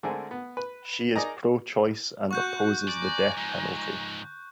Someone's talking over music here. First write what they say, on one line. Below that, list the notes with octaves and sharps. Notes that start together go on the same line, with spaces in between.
She is pro-choice and opposes the death penalty.
D3 G#3 A3 C4 G#4 A#4
B3
B4
D#4 G#4 A#4 D5 D#5 A#5
F#4 F#5 C#6 F#6 G6
D5 G#5 A#5
G#2 F3